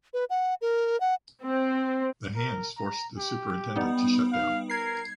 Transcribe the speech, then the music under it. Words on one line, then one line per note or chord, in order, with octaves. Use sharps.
The hands forced the superintendent to shut down.
B4
F#5
A#4
F#5
C4
A#4
A#5
G4
G3 B3 D#4
F5
A#4 G#6 C7